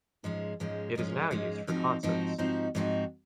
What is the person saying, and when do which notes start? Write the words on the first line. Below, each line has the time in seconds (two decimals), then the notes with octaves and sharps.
It is now used for concerts.
0.24 G#2 F3 G#3 C#4
0.60 G#2 F3 G#3 C#4
0.95 G#2 F3 G#3 C#4
1.31 G#2 F3 G#3 C#4
1.67 G#2 F3 C4 D#4 F#4
2.03 G#2 F3 C4 D#4 F#4
2.38 G#2 F3 C4 D#4 F#4
2.75 G#2 F3 C4 D#4 F#4